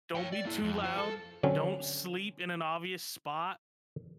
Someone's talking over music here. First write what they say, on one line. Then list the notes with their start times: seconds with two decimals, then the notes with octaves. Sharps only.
Don't be too loud. Don't sleep in an obvious spot.
0.15 C#5 G5
0.32 D5
0.45 A#3 E4
0.63 F2
0.83 F4 C5
0.98 A4
1.43 D3 F#3 C4 C#4